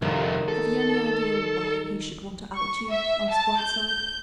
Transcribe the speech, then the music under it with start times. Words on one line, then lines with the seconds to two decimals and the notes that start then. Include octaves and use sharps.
"Have you any idea why he should want to out you?" asked Whiteside.
0.02 C2 F2 D#3
0.48 A4
2.55 C#6
2.89 E5
3.29 A5
3.60 G6